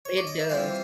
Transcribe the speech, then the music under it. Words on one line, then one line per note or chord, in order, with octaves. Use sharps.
It does.
C#5
D5
D#5
E5
E3 G3 C4 F4 F5